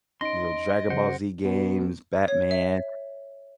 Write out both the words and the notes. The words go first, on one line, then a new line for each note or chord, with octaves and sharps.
you know, Dragon Ball Z games, Batman.
C#4 D#4 D#5 C6 A#6 D7
C#3 F#3 C5 F#5
B2
C#5
E5